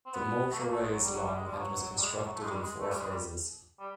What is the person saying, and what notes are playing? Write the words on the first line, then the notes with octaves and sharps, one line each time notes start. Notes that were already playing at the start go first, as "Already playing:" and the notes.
The motorway is long and was constructed in four phases.
C4
B3
A3
A#3
A3
G#3
F#3
G3
F#3
G3
G#3
G3
F3
F#3
F#3
F#3
F#3
G3
G#3
G3
F#3
A3
G#3
G3
G#3
A3
G3
G#3
G3
G3